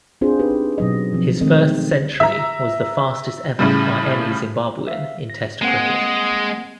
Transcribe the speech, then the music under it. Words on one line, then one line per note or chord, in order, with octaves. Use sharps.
His first century was the fastest ever by any Zimbabwean in Test Cricket.
C4 D4 F4 G#4 C5
C4 D#4 G4 B4
B2 F#3 D#5
B2 F3 C4
D#3 G#3 A3 C4 A4 D#5
E5 A#5
A2 C#3 G3
E5 F5
A#6
G#3 A#3 C4 F#5